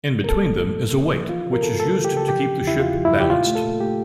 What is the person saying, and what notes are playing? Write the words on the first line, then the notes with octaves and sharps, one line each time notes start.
In between them is a weight, which is used to keep the ship balanced.
A#4
A#3 A4
F3
A#2
A#2
A#3
F3
E3 F4
C#3
A#4
D2 A4
A3 A4
E3
G4
C#3 A4
F3 G4
C#3
E2 E4
E2 F4
F3
E4
C#3
G4
A#2 F4
A3
A4
A#2
A3 G4